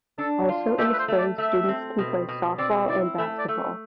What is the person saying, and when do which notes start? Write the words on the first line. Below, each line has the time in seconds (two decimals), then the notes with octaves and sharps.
Also in the spring students can play softball and basketball.
0.18 D4 A4
0.49 F4
0.78 A3 G4
0.93 B4
0.99 C5
1.08 A3
1.18 D5
1.38 A3 E5
1.68 C4
1.98 B2
2.29 B2
2.58 C4 D5
2.88 E4 D5
3.18 A3 E5
3.39 D5
3.48 A3